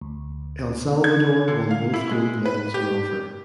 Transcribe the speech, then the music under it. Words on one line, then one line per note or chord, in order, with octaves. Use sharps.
El Salvador won both gold medals on offer.
D2
G#6
D3
F5
E4
G#3
B4
G4